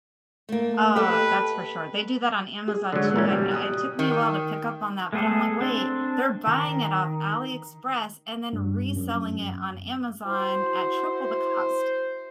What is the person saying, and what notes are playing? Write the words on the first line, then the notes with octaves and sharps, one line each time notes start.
Oh, that's for sure. They do that on Amazon too, and I it took me a while to pick up on that, but I'm like, "Wait, they're buying it off Ali Express, and then reselling it on Amazon at triple the cost."
A3 A#3
G4 A4 B4 D#5
G#4
G#2 D3 F#3
A#2 E3 C#4
B2 G3 G4
D#6 F#6
D#3
G#3 A3 B3 G#4 A4
C4 D4
D#3
G2
F#2
E4 F#4 C5